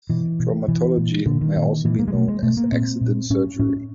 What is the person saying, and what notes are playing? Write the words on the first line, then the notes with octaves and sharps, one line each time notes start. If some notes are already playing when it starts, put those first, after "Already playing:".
Traumatology may also be known as "accident surgery".
B2 E3
B2
B2 E3
A#2
A#2 D3
D#3
A#2
A#2 E3
A#3
G#3
B2 A3
G#3
B2 A3
A#3
A#2 C4
A#2
A2 C#4
A2 C#4